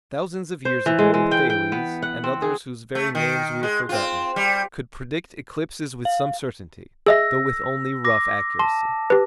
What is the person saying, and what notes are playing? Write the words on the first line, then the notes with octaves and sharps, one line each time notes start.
Thousands of years ago, Thales, and others whose very names we have forgotten, could predict eclipses with some certainty, though with only rough accuracy.
C5
E3
G#3
G#3
G5
G5
B3
F#5
C4
G#4
A3
D#3
G#3
C4 F4
G3
F5
G#4 D#5 E5 E6 A#6
D6 A#6
A5 C6
G4 B4